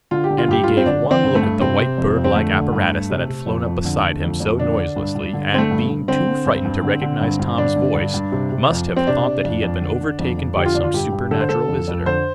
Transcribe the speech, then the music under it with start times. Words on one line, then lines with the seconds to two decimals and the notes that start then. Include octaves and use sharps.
Andy gave one look at the white bird-like apparatus that had flown up beside him so noiselessly, and, being too frightened to recognize Tom's voice, must have thought that he had been overtaken by some supernatural visitor.
0.11 D3 F4
0.24 G4
0.30 D3
0.38 F4
0.48 G2 G4
0.63 G2 F4
0.77 C4
0.86 D3 D4
1.04 D3
1.11 C4
1.24 G2
1.35 A3
1.42 G2
1.60 C3 C4
1.79 C3
1.98 F2
2.16 F2
2.24 C4
2.35 D3 A3
2.53 D3
2.72 G2
2.91 G2
3.10 C3
3.28 C3
3.47 F2
3.66 F2
3.85 D3
4.03 D3
4.22 F2
4.40 F2
4.59 D3 D4
4.77 D3
4.96 G2
5.15 G2
5.33 D3
5.52 D3 C4
5.58 A3
5.71 G2
5.90 G2
6.08 D3 C4
6.28 D3
6.46 G2
6.65 G2
6.83 D3
7.01 D3
7.21 G2
7.39 G2
7.58 D3 D4
7.76 D3
7.95 G2
8.14 G2
8.32 C3
8.52 C3
8.70 F2
8.88 F2
8.96 C4
9.07 C3 D4
9.26 C3
9.44 F2
9.63 F2
9.81 D3
10.01 D3
10.19 F2
10.38 F2
10.56 D3 G4
10.66 F4
10.75 D3 D4
10.84 F4
10.94 G2 G4
11.12 G2
11.31 D3 A4
11.41 C5
11.49 D3 A4
11.68 F2
11.88 F2
12.06 D3 C5